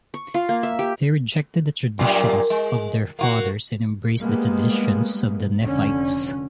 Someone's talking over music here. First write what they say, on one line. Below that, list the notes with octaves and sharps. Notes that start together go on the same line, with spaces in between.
They rejected the traditions of their fathers and embraced the traditions of the Nephites.
C#6
F4
A#3
E5
G4
F#2 A#2 G3
G#3
A#3 F4 F#4
G3 G#3 A#3 B3
F1 D3 C#4